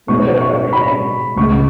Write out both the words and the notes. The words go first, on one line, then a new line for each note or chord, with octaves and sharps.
a little bit of everything.
B2 G#3 B3 D#4 C#6
C#6
B5
C#2 C#3 G#3 C#6